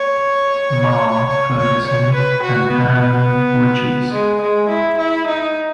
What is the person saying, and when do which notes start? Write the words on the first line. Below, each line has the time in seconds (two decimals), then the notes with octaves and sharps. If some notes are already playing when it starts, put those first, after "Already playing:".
"Ma" Ferguson and Ann Richards.
Already playing: C#5
1.29 C#5
1.58 C#5
1.86 C#5
2.14 B4
2.42 F#4
2.71 B3
4.12 G#3
4.41 G#3
4.69 E4
4.97 E4
5.26 D#4